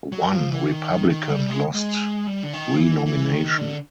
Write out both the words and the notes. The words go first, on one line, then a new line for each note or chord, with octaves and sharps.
One Republican lost renomination.
F#3
F3
E3
D#3
D#3
D#3
G3
G#3
G#3
G3
D3
D#3
F3
E3
E3
D#3
D3